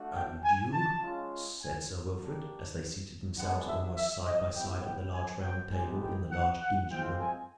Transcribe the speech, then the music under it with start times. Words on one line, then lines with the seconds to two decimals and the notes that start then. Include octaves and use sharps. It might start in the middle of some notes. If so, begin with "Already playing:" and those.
"And you?" said Sir Wilfrid, as they seated themselves almost side by side at the large, round table in the large, dingy room.
Already playing: A3 D4 F#4
0.14 G5
0.43 G#5
0.72 A5
1.02 G#3 C#4 F4
1.61 G#5
2.19 A#3 D4 G4
3.37 G#3 B3 D4 F#5
3.67 E5
3.96 E5
4.25 D#5
4.54 B3 E4 G4 G5
4.84 G5
5.13 G#5
5.43 G5
5.72 G#3 B3 D#4 G4 G#5
6.02 G5
6.32 F#5
6.60 F#5
6.90 G#3 C4 F4 G5
7.19 G#5